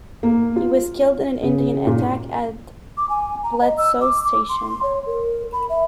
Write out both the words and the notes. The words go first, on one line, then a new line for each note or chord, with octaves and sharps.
He was killed in an Indian attack at Bledsoe's Station.
A#3
F4
C#3
A#2
D6
G#5
A#5
D#5
E6
D6
D6
C6
C#5
A#4
B5
E5